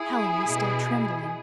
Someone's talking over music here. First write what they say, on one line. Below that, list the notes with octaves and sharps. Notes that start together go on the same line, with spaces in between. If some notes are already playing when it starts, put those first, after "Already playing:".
Helen was still trembling.
Already playing: E4 G#4
B2